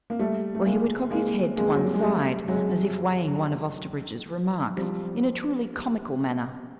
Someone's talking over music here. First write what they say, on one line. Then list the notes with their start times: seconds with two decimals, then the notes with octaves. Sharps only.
Or he would cock his head to one side as if weighing one of Osterbridge's remarks, in a truly comical manner.
0.10 A#3
0.19 G3 A3
0.55 A3
0.65 G#3 A#3
1.11 G#3 A#3
1.56 G#3 A#3
1.75 F#3
1.85 G3
1.94 G#3
2.03 G3 A3
2.48 F#3 G#3
4.77 F3 G3